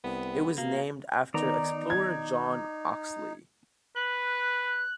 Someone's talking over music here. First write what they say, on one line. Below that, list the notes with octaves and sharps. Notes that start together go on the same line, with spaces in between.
It was named after explorer John Oxley.
C2 B3
B2 A#3
D#3 B3 D#4 D5 A#5
G#6
B4 F#6